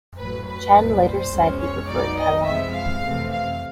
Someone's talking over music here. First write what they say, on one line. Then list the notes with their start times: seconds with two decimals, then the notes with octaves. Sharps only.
Chen later said he preferred Taiwan.
0.18 A1 A2 F#3 B4
0.46 B4
0.75 C2 A#2 G3
1.03 C5
1.31 C#2 B2 G#3 C#4
1.59 C#5
1.88 B1 B2 F#3 B3 D#4 D5
2.17 D#5
2.44 E2 C3 F3 G#3 B3 E5
2.72 F5
3.01 F2 C3 E3 A3
3.30 F5